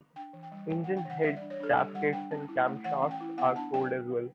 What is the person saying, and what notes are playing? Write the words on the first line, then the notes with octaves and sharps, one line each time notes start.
Engine head gaskets and camshafts are sold as well.
D4 G5
E3
G5
G3
E3 G5
D4 F#5
G5
E3 F#5
G3 E5
D5
D4
C#5
D4 A4
G3 G4
G3 F#5
D4 G5
C#4
E4
A3
E3 F#5
C#4
G5
E4
B3 F#5
D4 A5
F#3 G5